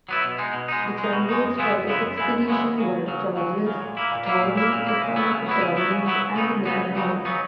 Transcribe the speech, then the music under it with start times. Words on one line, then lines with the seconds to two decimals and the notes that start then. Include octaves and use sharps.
The generals for the expedition were Gorgias, Ptolemy the son of Dorymenes, and Nicanor.
0.09 F#3 B3 E4
0.24 B2
0.38 G#3 D#4
0.53 B2
0.68 G#3 D#4
0.83 B2
0.98 G#3
1.04 D#4
1.13 B2
1.29 G#3 D#4
1.43 F#2
1.58 C#3 G#3 B3 E4
1.73 F#2
1.87 C#3 G#3 B3 E4
2.04 F#2
2.18 C#3 G#3 B3 E4
2.33 F#2
2.48 C#3 G#3 B3 E4
2.62 D#2
2.78 C#3 F#3
2.92 D#2
3.08 C#3 F#3
3.23 D#2
3.37 C#3 F#3
3.52 D#2
3.67 C#3 F#3
3.82 A#2
3.97 A#3 E4
4.11 A#2
4.26 A#3 E4
4.42 A#2
4.57 A#3 E4
4.72 A#2
4.87 A#3 E4
5.02 C#3
5.16 F#3 B3 E4
5.31 C#3
5.46 F#3 B3 E4
5.61 C#3
5.77 F#3 B3 E4
5.91 C#3
6.06 F#3 B3 E4
6.22 C#2
6.35 C#3 F#3 B3 D#4
6.50 C#2
6.66 C#3 F#3 B3 D#4
6.81 C#2
6.96 C#3 F#3 B3 D#4
7.11 C#2
7.25 C#3 F#3 B3 D#4